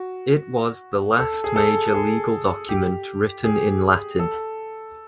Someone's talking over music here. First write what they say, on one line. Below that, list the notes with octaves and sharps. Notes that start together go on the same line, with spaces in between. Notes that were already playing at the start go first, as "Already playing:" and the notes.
It was the last major legal document written in Latin.
Already playing: F#4
A4
G#4
A4
G#4
G4
G#4
A4